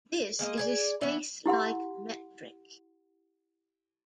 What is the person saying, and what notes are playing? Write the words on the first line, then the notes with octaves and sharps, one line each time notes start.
This is a space-like metric.
G#3 A#3 D4 D#5
G#4 B4 D5
E3 B3
E4 G4 F#5 C6